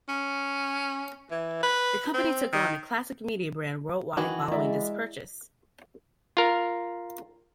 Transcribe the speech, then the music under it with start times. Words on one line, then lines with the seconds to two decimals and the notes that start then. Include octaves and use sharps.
The company took on the Classic Media brand worldwide following this purchase.
0.09 C#4
1.31 E3
1.63 B4
2.14 C4
2.53 D#3
4.17 D#3 E3 F#4 D6
4.52 G#3 E4 D5 E5 A#5
6.37 F4 A#4